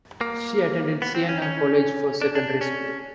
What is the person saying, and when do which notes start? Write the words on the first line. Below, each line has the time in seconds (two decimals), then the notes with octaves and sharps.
She attended Siena College for secondary school.
0.21 A#3
1.02 B3
1.15 C4
1.29 C#4
1.42 C#4
2.21 D4
2.35 D4
2.61 C#4